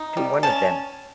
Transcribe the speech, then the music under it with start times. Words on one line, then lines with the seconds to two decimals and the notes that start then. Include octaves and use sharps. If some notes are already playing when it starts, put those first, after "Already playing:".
To one of them.
Already playing: D#4
0.17 G3
0.43 C#4 A5